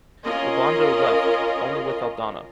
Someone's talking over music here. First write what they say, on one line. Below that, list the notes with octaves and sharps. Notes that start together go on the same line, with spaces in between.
Obando left, only with Aldana.
C#4 F4 A#4 D#5